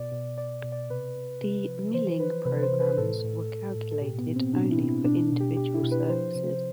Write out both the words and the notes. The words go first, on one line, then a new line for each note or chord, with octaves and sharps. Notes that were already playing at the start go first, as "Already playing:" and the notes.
The milling programs were calculated only for individual surfaces.
Already playing: B2 D5
B2
B2 D5
B2
D5
C3 B4
C3
C3
F3
E3 C5
E3 B4
C3 B4
C5
E3
B4
A2 A4
A2
A2
A2
A4
B2 G4
B3
B2
C4
B2 D4
E4
B2
E4
B2 D4
B2
G4
B2 G4
E4
B2
B4
F3 C5
C3